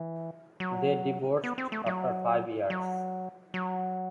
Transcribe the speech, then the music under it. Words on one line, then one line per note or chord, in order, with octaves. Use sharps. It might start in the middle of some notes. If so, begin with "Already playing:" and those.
They divorced after five years.
Already playing: E3
F#3
B3
C4
A3
F#3
F#3
F#3